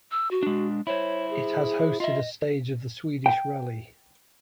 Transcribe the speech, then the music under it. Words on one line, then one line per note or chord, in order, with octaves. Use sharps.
It has hosted a stage of the Swedish rally.
E6
F#4
G#3 D4
E4 C5 C#5
G#4
F4 D#5 E5
G5